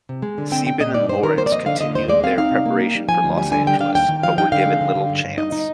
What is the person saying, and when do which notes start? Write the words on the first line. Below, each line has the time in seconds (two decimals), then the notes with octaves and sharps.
Sieben and Lawrence continued their preparation for Los Angeles, but were given little chance.
0.09 C3
0.22 G#3
0.38 D3
0.52 C4 G5
0.66 C4 G5
0.80 A#2 D#5
0.94 D#4 D5
1.08 G2 C5
1.23 D#3 A#4
1.37 A#3 C5
1.46 D5
1.52 F2 D#5
1.66 D3 F5
1.80 D3 D#5
1.95 D#2 C5
2.08 G#3 D5
2.23 C4 F5
2.38 D#4 F5
2.51 C3
2.66 A#3
2.80 D#4
2.95 G3
3.08 F3 G#5
3.24 D2
3.37 G3 G#5
3.52 D3 G#5
3.67 G3 G5
3.80 D4 F5
3.95 D#2 G5
4.09 D#3
4.23 F3 F5
4.38 D#4 G5
4.52 D3 F5
4.66 G#3
4.81 D3
4.95 D3
5.10 G2
5.23 G2
5.38 D#4 D#5
5.52 D#4